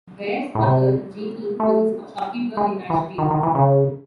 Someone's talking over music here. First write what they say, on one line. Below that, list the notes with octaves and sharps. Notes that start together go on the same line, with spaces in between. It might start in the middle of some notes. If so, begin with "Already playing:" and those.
Bare's mother, Jeannie, was a shopkeeper in Nashville.
A2
C3
A3
G#3
E3
D#3
D#3
E3
C#3